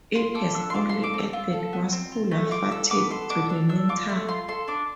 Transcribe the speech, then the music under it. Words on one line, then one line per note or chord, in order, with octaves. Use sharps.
It has only added muscular fatigue to the mental.
F4 C6
A4 D6
D4 E6
C6
F4 D6
A4 C6
D6
C4 E6
F4
A4
B3
C4
F4
A3
F4 D6
A4 E6
B3 D6
A4 C6
D4 D6
D4 E6
D4 E6
F4 D6
A3 C6
F4 C6
A4 C6
D4 D6